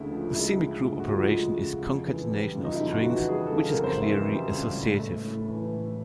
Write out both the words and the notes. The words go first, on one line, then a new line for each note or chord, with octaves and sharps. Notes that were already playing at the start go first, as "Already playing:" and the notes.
The semigroup operation is concatenation of strings, which is clearly associative.
Already playing: D2 C#3 G#3 E4
F3
G#3 E4
C#3
D2
F#4
F3 F4
G#3
C#3
F2
E3
G3
C#3 F4
D#4
E4
F2
F4
F#4
E3
F#4
G3 G#4
A4
C#3
A#4
F2
C5
E3 E5
G3
C#3
A2
A3
A2
E3
A2